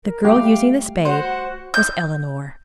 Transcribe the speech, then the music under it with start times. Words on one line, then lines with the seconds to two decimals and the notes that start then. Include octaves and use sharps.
The girl using the spade was Eleanor.
0.04 A#4
0.25 G3 A3 G4 F5 G5
1.05 F#4 C5 F#5
1.74 G6